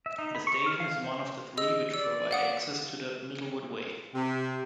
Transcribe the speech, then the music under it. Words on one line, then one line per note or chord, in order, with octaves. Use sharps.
The station is one of the three which provide access to the Middlewood Way.
E5
D#4
B5
C#6
F6
F5
C5
G#4 D#5 E6
D5 E6
F5 F#5 D#6
C3